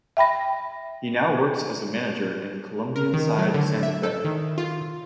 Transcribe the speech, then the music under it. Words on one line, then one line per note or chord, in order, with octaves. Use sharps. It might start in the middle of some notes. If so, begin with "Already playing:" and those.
He now works as a manager in Colombian side Santa Fe.
E5 G5 B5 A#6
A#4
D#3
F#3
D3
E5
A4
D#3
F4